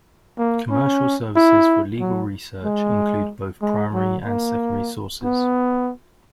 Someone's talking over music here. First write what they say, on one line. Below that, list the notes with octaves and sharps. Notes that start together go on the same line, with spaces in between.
Commercial services for legal research include both primary and secondary sources.
A#3
C#4
E4
F#3
G#3
G#3
F#3
A#3
B3